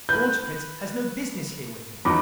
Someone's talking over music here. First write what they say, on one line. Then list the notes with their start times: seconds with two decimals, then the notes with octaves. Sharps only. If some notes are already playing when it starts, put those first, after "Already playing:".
George Prince has no business here with me!
0.09 B4 B5 G6
2.05 E2 D#3 F#3 B5 D6